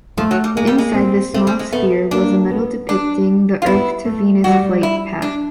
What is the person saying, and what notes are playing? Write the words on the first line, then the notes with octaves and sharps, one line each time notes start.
Inside this small sphere was a medal depicting the Earth-to-Venus flight path.
F3 A3
F#3
G3
G#3 A#3
G3
G#3
C4
A3 C4
G3
G#3
A3 B3
A#3 D4
B3
D4
F4
B3 E4
A3
G3 F#4
E4
D4